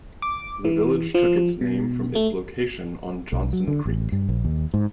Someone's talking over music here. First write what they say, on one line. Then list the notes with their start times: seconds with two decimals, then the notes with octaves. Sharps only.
The village took its name from its location on Johnson Creek.
0.22 D6
0.65 E3
1.14 F3
1.61 B2
2.15 A3
3.33 B1
3.53 F#3
3.68 D3
3.86 A1
4.12 G2
4.29 A#1
4.44 D#2
4.74 G#2